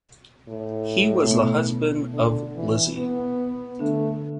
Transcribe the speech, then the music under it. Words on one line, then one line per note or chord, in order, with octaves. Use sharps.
He was the husband of Lizzie.
A2
A3
B2 B3
D3
E3
B3
D3 A3 D4